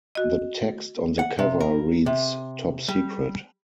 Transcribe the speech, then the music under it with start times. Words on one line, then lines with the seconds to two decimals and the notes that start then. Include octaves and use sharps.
The text on the cover reads Top secret.
0.15 F#4 D#5
1.19 F#5
1.39 C3
1.60 A#4
2.06 C3
2.88 G3